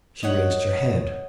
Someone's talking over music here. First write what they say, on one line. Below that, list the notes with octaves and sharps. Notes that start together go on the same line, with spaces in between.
She raised her head.
D#4 C#5 F#5